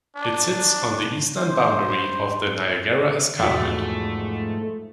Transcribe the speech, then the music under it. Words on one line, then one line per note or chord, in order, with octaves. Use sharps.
It sits on the eastern boundary of the Niagara Escarpment.
D4
C5
E2 G#2 B2 F3 A3